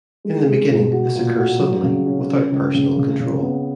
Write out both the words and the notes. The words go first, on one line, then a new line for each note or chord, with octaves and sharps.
In the beginning, this occurs suddenly, without personal control.
G#3
G#3
B2
F#4
A#2
F#4
F#3
C#3
C#4
C#4
C#2
C#3
C#3
C#3
B3